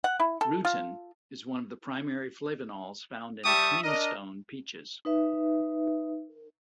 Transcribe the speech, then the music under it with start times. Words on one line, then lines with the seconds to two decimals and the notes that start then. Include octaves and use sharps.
Rutin is one of the primary flavonols found in 'clingstone' peaches.
0.04 F#5
0.20 E4
0.41 A4
0.65 F4
3.45 G3 G4 E5 A5 C#6 D#6
3.83 D4 A#4 D#5
5.05 D#4 B4 E5